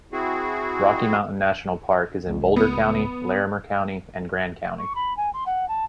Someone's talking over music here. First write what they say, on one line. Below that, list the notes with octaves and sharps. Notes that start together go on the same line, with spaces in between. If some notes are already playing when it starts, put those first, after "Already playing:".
Rocky Mountain National Park is in Boulder County, Larimer County, and Grand County.
C4 E4 F#4 G#4
C#2
B3
C#6
B5
G#5
C6
F#5
A5